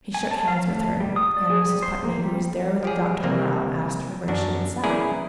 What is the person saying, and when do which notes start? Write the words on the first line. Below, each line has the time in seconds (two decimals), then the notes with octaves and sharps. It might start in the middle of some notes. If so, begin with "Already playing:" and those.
He shook hands with her, and Mrs. Putney, who was there with Dr. Morrell, asked her where she had sat.
0.14 G#5
0.31 A5
0.48 F5
0.66 A3
1.00 G3
1.16 D#6
1.37 D5
1.50 G#4
1.65 G3
1.83 C5
2.04 A#3
2.22 G3
2.83 F3 G4 G#4
3.23 C3 G3 A#3 C4
4.28 F#2 D4 F#4
4.84 C#4 E4 G#4 A#4 B4 D5